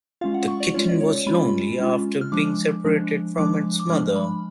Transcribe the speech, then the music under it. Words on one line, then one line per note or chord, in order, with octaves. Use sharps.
The kitten was lonely after being separated from its mother.
G#3 C#4 F4 F5
F#5
C#6
D5
G#3 C#4 F4 C#5
D5
C#5
G#3 C#4 F4 B5
G#3 C#4 F4
F6
F3 G#3 D4 D6
F3 G#3 D4
F3 G#3 D4 D6
D6
F3 G#3 D4 F6
B5